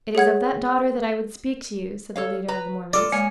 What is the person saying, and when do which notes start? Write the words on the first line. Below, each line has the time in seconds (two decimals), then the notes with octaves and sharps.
"It is of that daughter that I would speak to you," said the leader of the Mormons.
0.15 G#4 C#5 F#5 G#6
2.16 A4 C#5 F5
2.48 B4 A#5
2.93 F4 A4 D5
3.12 G#3 A#3 C#5 G#5